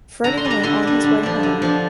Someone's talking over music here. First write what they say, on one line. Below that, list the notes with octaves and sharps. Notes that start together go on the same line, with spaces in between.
Freddie went on his way home.
D3 A#5
C6
G3 D4
A#5
D3 C6
G3 D4
D3
F3 D4
D3
F3 D4